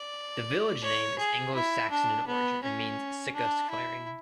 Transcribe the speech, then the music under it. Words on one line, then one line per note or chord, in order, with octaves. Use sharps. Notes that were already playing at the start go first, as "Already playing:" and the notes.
The village name is Anglo-Saxon in origin, and means "Cicca's clearing".
Already playing: D5
C#5
G#4
E4
D4
B3
C#4
D4
E4